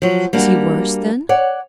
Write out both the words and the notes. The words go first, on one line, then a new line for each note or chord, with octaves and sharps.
"Is he worse, then?"
F3 F#3
G3 A#3 D4 F#4
C#5 D5 F#5